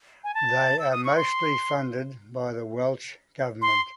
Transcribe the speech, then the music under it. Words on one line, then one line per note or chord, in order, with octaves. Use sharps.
They are mostly funded by the Welsh government.
G#5
A5
E6
D#6
C#6
C6
C6